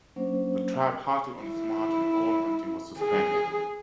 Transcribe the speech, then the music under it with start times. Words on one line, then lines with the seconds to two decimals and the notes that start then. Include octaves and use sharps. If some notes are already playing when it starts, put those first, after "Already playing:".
The tribe halted on its march and all hunting was suspended.
0.16 F#3 A#3 C#4 D4 C5
1.43 E4
2.99 G#4